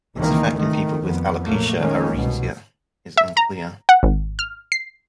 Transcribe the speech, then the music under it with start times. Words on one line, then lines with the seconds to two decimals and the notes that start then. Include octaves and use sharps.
Its effect in people with alopecia areata is unclear.
0.16 C#2 C3 D#3 E3 A#3
0.57 D#3 A3
1.01 F2 B3
1.43 A#1 F#3 A3 A#3
1.78 D#3 G#3 A#3 C#4
2.12 C2 B2
3.17 E5
3.37 A#5
3.89 F#5
4.03 G#1
4.39 F6
4.72 C7